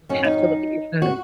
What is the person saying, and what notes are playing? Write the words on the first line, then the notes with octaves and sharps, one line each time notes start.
you have to look at your phone?
F#2 D#3 C#4
D#4
F#4